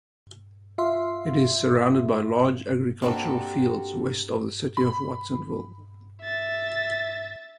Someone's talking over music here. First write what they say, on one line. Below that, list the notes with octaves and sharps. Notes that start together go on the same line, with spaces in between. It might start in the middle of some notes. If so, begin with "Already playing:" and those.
It is surrounded by large agricultural fields west of the city of Watsonville.
F4 E5 F5 C6
A#3 C4 D4 F#4 G4 A4
B5
E5 A6